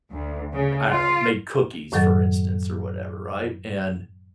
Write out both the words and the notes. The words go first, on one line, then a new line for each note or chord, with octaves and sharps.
I don't know, make cookies, for instance, or whatever, right, and
D2
C#3
F4
F#2 A2 D#3 F#3 A4 A6